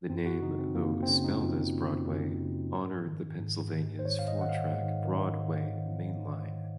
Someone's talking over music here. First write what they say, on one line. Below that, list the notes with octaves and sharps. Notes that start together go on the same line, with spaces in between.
The name, though spelled as "Broadway", honored the Pennsylvania's four-track "broad way" main line.
F#2 C4
F#4
C#3 D#4
C4
F#2 A#3
C4
C#3 C#4
D#4
F#2 F4
C#3
F#2
C#3
G#2
D#3
G#2
D#3
C5
G#2 C#5
F5
D#5
D#3 F#5
F5
G#2
D#3